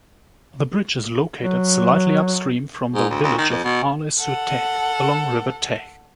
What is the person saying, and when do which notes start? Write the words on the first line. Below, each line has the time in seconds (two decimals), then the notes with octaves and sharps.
The bridge is located slightly upstream from the village of Arles-sur-Tech, along River Tech.
1.43 F#3
2.95 G#2
3.10 D2
3.23 D2
3.38 D#3
3.50 F2
3.64 B2
4.19 A4 F#5